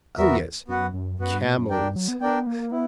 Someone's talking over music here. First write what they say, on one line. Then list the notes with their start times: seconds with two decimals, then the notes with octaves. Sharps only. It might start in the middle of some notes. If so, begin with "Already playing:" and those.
Oh yes, camels.
0.18 E2 B3 F#4 A#4 E5
0.68 F#2 B3 F#4 B4 F#5
0.93 F#2
1.19 F#2 B3 F#4 B4 F#5
1.32 G2
1.45 A#2
1.58 F#2
1.70 F#2 D4 A#4 D5 G5
1.82 G2
1.96 F#3
2.08 B3
2.20 B3 D4 A#4 D5 G5
2.46 A#3
2.72 B3 E4